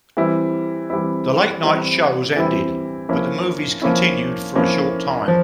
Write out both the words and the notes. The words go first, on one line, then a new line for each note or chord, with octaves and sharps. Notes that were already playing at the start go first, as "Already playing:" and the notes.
The late night shows ended, but the movies continued for a short time.
E3 G3 C4 E4
E3 G3 C4 E4
E3 G3 C4 E4
E3 G3 C4 E4
F3 A#3 C#4 E4
F3 A#3 C#4 E4
F3 A#3 C#4 E4
F3